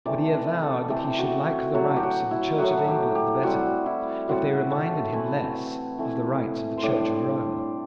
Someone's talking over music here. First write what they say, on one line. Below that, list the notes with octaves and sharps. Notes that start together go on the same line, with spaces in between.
But he avowed that he should like the rites of the Church of England better if they reminded him less of the rites of the Church of Rome.
C3 E3 A3 D5
B4
A4
C3 E3 A3 G4
F#4
A2 F#3 A3 F#4
G4
F#4
E4
A2 F#3 A3 F#4
G4
G4
A2 G3 C4 F#4
E4
A2 G3 C4 F#4
A4
E3 A3 C4 E4 B4
E3 A3 C4 E4
C5
A2 G3 D4 D5